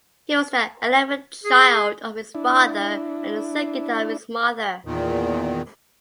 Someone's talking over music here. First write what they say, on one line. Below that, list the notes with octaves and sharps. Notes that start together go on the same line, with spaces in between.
He was the eleventh child of his father and the second of his mother.
G#4
D4 E4
E2 A#2 D#3